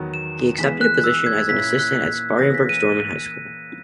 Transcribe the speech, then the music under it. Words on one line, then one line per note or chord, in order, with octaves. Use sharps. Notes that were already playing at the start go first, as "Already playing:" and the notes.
He accepted a position as an assistant at Spartanburg's Dorman High School.
Already playing: E2 D#3 F#3 B3
E7
E3 G#3 B3 B6
F#6
E6
G#6
A#2 A#3 C#4 E4 B6
G#6
F#6
E3 A#3 C#4 G#4 B4 A#6
B6
D#7